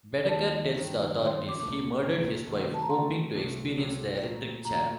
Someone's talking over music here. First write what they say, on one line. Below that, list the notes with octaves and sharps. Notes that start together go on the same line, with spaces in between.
Bedeker tells the authorities he murdered his wife, hoping to experience the electric chair.
D#2 D#3 F#3 A#3 D#4 A5
G2 D#3 G3 D4
G2 D#3 G3 D4 C6
C6
C6
D6
C2 A#2 A3 D6
C2 A#2 A3
C3 D#3 F#3 A3
A5
A#5
C3 D#3 F#3 A3 C6
C2 C3 F#3 A3 C4
C2 C3 F#3 A3 C4
A#2 F#3 A3
A#2 F#3 A3 A#5